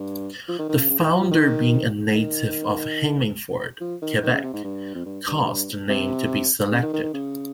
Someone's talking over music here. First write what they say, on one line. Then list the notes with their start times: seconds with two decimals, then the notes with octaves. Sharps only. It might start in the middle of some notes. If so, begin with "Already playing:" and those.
The founder being a native of Hemmingford, Quebec, caused the name to be selected.
Already playing: G2
0.48 F3
0.59 D#3
0.69 D#3
0.79 C#3
0.90 C#3
1.00 D#3
1.11 F3
1.21 F3
1.31 D#3
2.15 D#3
3.81 F3
4.02 D#3
4.23 D#3
4.33 C#3
4.43 C3
4.54 G#2
4.64 G2
4.95 F2
5.06 G2
5.27 G2
5.89 C3
6.72 C#3
6.83 D#3
6.93 D#3
7.03 D#3
7.14 C#3